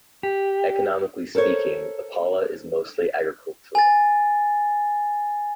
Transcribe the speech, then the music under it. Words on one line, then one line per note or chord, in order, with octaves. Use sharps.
Economically speaking, Ipala is mostly agricultural.
G4
A4 A#4 C5 C#5
G#5 A6